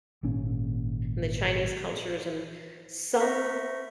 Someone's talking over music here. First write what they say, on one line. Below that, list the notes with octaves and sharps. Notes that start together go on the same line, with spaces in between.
and the Chinese cultures and some,
G#1 A#2 C#4
B4 C5 E5 C#6 A#6 B6